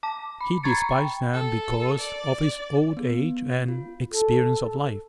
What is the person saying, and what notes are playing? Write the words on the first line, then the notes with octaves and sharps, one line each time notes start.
He despised them because of his old age and experience of life.
A5 D6
B5
A#5 B5 C#6 G#6 A6 C#7
G5 B5
A4
D5
B3
F4
A4